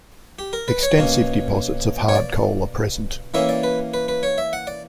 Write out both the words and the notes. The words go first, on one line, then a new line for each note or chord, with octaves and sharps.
Extensive deposits of hard coal are present.
G4
A#4
B4
C#5
B2 A#3 C#4
C#5
D5
E3 A#3 C#4 E5
D5
B4
B4
B4
C#5
E5
F#5
D5